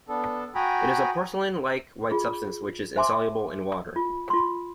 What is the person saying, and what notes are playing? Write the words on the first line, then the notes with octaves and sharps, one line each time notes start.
It is a porcelain-like white substance which is insoluble in water.
B3 D4 A4
F#4 G5 G#5 A#5 B5 D#6
F4 G#4
C5 E5 G#5 C6 D6
F4
F4 C6